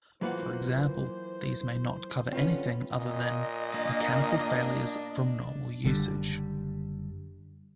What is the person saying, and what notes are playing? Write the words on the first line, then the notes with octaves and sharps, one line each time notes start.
For example, these may not cover anything other than mechanical failure from normal usage.
E3 F#3 A#3 F4 B4 C5 F#5
D3 G3 C4 C#4 F4 B4
A#2 D#5
A#3 D4
F#1 D3 G3